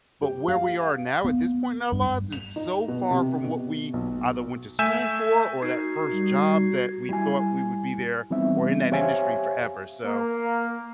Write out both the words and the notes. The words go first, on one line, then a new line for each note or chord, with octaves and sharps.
but where we are now, at this point in our lives, is so far from what we either went to school for, or that first job that we thought we would be there, or in that industry forever, so
G4
F5
B3
G2
F7
D#4
B2
C3
B2
B1
A3 E5 G#5 E6 G6 E7
D#4 F#4 A#4 G#6 C7
G3
G3 E4 G#5
E3 G3 B3 C4 D#4 E5
G4 C5 C#5 E5 F5 G#5
A#3